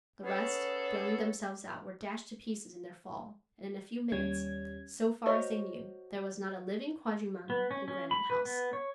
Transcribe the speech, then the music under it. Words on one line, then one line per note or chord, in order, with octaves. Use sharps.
The rest, throwing themselves out, were dashed to pieces in their fall, and in a few minutes, so far as they knew, there was not a living quadrumana in Granite House.
B3 C#4 G#4 A4 C#5
D#2 G3 C#4 G#6
F#4 A#4 C5 C#5 D#5
B3
C#4
C#4
B5
B4
B3
C#5